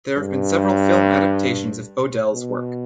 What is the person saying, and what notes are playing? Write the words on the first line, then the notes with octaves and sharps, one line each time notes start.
There have been several film adaptations of O'Dell's work.
G2
B2